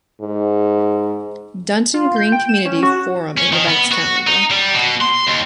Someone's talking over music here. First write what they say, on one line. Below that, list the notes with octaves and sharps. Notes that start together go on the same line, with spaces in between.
Dunton Green Community Forum and events calendar.
G#2
F4
G6
G5
E7
C#4
F#4
C#4
D#3
B3
F#4
D#4
G3
B2
C6
D#2